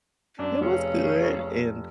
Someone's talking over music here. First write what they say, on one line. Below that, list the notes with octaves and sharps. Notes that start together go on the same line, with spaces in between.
It was good. And,
F#2 D4
F1 C#3